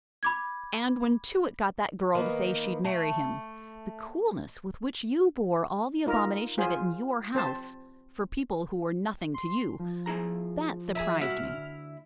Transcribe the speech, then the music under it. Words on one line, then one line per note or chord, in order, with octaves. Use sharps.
"And when Tewett got that girl to say she'd marry him, the coolness with which you bore all the abomination of it in your house,--for people who were nothing to you;--that surprised me!"
B5 D6 G#6
D#3 A#3 B3
A3
D#4 F4 A#4
F4 G#4 C5
C4 C5 A5
C6
F3
E4 G#4 A#5
G#4 A#4 E5
C2 E4 F#4 F6
D2